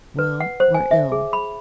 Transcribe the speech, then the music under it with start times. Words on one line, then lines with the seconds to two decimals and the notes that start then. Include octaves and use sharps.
Well or ill....
0.19 B4
0.40 F#5
0.60 C5
0.74 G#5
0.91 E5
1.12 G#4
1.33 B5